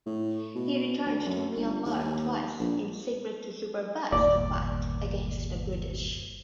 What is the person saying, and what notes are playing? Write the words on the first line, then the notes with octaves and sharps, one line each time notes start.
He returned to Myanmar twice in secret to supervise the fight against the British.
A2
B2
D2
F#2
G1
D#2
A#1
G1 D#2 A#2 D5